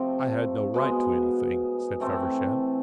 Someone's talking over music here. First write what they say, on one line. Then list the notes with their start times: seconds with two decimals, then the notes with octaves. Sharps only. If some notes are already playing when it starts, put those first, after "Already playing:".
"I had no right to anything," said Feversham.
Already playing: C3 F3 A3 C4
0.74 B2 G#3 B3
2.00 A2 E3 A3 C4